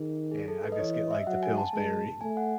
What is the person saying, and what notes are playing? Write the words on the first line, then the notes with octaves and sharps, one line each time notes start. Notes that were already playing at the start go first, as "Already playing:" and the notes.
And I just get, like, the Pillsbury.
Already playing: D#3 G#4
G#4
A4
B4
D#5
E3 C#5
D#5
E5
E5
F#3 F#5
G#5
A5
G#3 A5
A3 G#5
F#5